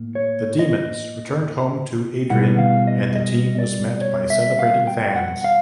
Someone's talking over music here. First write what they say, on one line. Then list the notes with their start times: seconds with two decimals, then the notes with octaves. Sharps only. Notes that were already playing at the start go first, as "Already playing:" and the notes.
The Demons returned home to Adrian and the team was met by celebrating fans.
Already playing: A2 A#3
0.15 C#5
0.59 D#5
2.30 B2 G3 B3 E4 F#5
2.59 F5
2.87 D#5
3.16 D#5
3.59 D5
4.01 C#5
4.30 E5
4.59 F5
4.87 G5
5.16 F#5
5.44 F5